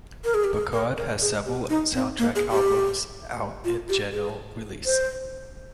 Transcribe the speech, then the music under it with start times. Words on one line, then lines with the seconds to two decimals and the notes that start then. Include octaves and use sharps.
Burkhard has several soundtrack albums out in general release.
0.24 A#4
0.34 G#4
0.44 G4
0.54 G#4
0.72 A#4
0.97 A#4
1.22 G#4
1.46 G4
1.69 D#4
1.95 C4
2.19 A#3
2.35 G#4
2.51 G4
3.65 F4
3.89 G4
4.12 G#4
4.86 C5